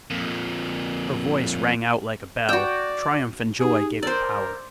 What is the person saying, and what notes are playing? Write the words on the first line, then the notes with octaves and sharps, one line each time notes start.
Her voice rang out like a bell; triumph and joy gave it power.
F2 A#2
F#4 D5 G5 E7
D#4 G4 G#4
A#4 C5 D5 E6